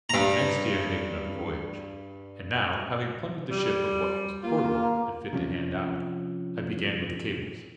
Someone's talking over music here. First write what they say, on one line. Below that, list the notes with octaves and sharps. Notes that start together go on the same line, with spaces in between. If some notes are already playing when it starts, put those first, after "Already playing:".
The next day I made another voyage, and now, having plundered the ship of what was portable and fit to hand out, I began with the cables.
G2 A#5
G3
A#3 F4
C3 F3 C#4